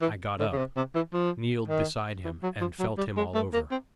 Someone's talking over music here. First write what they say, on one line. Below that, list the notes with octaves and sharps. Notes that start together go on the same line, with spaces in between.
I got up, kneeled beside him, and felt him all over.
E3
D3
C#3
C3
C3
E3
F3
D#3
E3
F#3
F3
F#3
G3
G#3
A3
A#3
C4